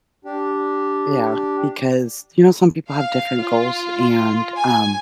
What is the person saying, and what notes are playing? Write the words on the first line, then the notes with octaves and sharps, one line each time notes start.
Yeah, because, you know, some people have different goals and, um
D4 G4
F5
F4
G#5